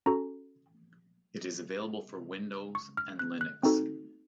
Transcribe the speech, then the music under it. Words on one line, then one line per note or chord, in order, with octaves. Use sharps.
It is available for Windows, and Linux.
C#4 F#4 A4 A#5
C#6
F6
F#6
F#6
C4 D#4 F#4 A4